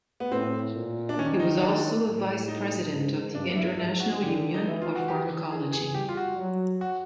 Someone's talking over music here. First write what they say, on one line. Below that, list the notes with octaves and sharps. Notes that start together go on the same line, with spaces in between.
He was also a vice-president of the International Union of Pharmacology.
B3
A2 C4
A#2
D4
D#3 C#4
D#4
D4
A2
D#4
G#2
G2 D4
E4
G#2 E4
F#4
D3 G4
D#4
E3 E4
F4
F#4
G4
E3 G#4
G#4
G3 G4
F4
F#4
F#3
F#4